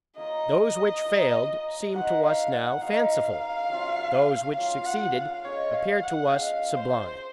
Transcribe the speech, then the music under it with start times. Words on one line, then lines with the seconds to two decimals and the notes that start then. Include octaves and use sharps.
Those which failed seem to us now fanciful, those which succeeded appear to us sublime.
0.17 A#3 F4 A#4 C#5 D#5
1.05 A#3 F4 A#4 C#5
1.93 D#4 F#4 C5 F#5
2.23 F5
2.52 F#5
2.81 D#4 F#4 C5 F5
3.69 F#3 C#4 F4
4.57 F#3 C#4 F4 F5
4.86 F#5
5.15 F5
5.45 C#4 G#4 C#5 D#5
5.74 F5
6.03 F#5
6.32 C#4 G#4 D#5 F5
6.77 C5